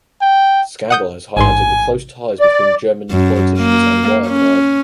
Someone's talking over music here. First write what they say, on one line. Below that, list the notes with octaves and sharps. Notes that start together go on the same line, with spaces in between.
The scandal has highlighted the close ties between German politicians and Wirecard.
G5
F#5 D#6 G6
A1 G#2 G#5 C6
D5
F#2
A#3
C#4